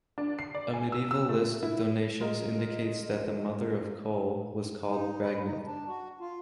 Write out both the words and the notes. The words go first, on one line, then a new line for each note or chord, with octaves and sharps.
A medieval list of donations indicates that the mother of Kol was called Ragnhild.
D4
C7
D5
G#5
E6
E6
A3
E4
G#3 F4 A#4 D#5
D#4
B4
D#4
D4
F#4
F4